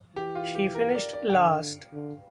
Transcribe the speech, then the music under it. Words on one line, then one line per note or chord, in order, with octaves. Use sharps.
She finished last.
E3 G4
F4
G4
A#4
D5
D5
G5
D3 F5
D3